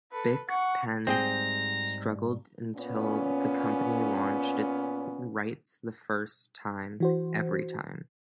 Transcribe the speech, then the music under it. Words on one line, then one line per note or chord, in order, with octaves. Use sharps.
Bic pens struggled until the company launched its Writes The First Time, Every Time!
A4 B4
F#5 C#6
G#2 G3 C4 G#4 G5 A#5
A#2 B3 C#4
E3 F#4 C5